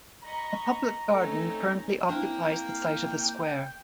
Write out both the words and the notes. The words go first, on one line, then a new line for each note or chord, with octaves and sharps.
A public garden currently occupies the site of the square.
D#5 A#5 B5 C#6
A3 C4 C#4 D#4
A#3 C4 D4 E4 A#4 G5